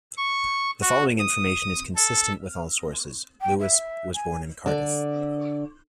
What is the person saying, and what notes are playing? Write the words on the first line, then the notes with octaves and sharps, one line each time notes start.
The following information is consistent with all sources: Lewis was born in Cardiff.
C#6
F#4
D#6
A4
G5
E5
G#5
D3 D5